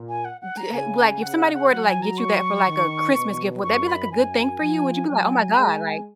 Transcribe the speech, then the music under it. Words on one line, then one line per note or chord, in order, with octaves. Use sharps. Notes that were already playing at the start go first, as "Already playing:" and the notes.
d y h like, if somebody were to, like, get you that for, like, a Christmas gift, would that be, like, a good thing for you? Would you be like, "Oh my god, like"
Already playing: A#2
G#5
F#5
F#5
A#5
C#3 G#5
C#3 F#5
F#5
F#5
F#3 F#5
G#5
A#5
C#6
D#3
B2
F#2 C#6
B5
F#2 G#5
F3
F#3 G#5
G#3